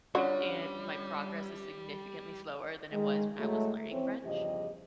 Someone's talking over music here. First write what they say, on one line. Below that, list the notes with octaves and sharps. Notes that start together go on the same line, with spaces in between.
and my progress is significantly slower than it was when I was learning French.
D3 G3 C#4 F4 F#4 C#5
D#3 G#3
A2 F#3 G#3 A3
E3 C4 C#4
E2 G2 C#3 F3 G4 D#5